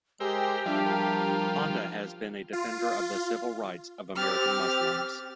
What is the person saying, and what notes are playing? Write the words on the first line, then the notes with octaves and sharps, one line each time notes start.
Honda has been a defender of the civil rights of American Muslims.
G#3 G4 G#4 A#4 C5 G5 E6
F3 G3 D4 F4 D5 E5
A#4
F4
F4
C4 G4 F6 A6